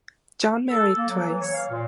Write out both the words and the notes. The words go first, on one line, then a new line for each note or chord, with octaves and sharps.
John married twice.
A4
A#3
F#3
E3
C#5
F5
A#2